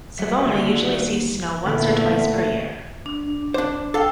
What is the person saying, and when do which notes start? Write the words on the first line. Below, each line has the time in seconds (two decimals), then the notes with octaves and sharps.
Savona usually sees snow once or twice per year.
0.19 G3 A3 F#4 E5
0.47 D#2 D3 A#3
1.66 A#2 D3 A3 B3 E4
3.06 D4
3.54 D4 C5 D6
3.94 A4 F5 G5 E6